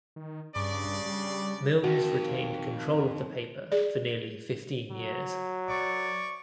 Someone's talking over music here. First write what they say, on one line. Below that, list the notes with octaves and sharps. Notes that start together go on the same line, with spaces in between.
Milnes retained control of the paper for nearly fifteen years.
D#3
G2 C#3 D4 D5
G3
F2 D#3 F#4
G#4 D5
F#3
D5 C#6